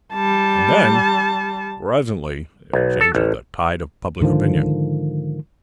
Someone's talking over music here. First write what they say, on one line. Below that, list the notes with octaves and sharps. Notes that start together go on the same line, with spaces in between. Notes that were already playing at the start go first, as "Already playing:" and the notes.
And then, presently, it changes the tide of public opinion.
G3 A5
B1
A4
A1
G#2 D3 D#3 F3